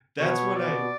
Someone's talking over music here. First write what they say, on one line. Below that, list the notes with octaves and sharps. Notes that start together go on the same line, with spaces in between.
That's when I y
B2 C#5
B2 D5